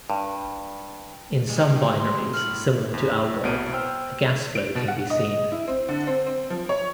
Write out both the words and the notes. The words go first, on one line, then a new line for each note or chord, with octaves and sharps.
In some binaries similar to Algol, a gas flow can be seen.
G2
G3 G#3
C6
A2 F6 F#7
E2
C2 B2 B3 D7 D#7
C5 G5 E6 F6
D7
B2
F#5
D#5
E4
C4
D3
C4
C4
F3
C#5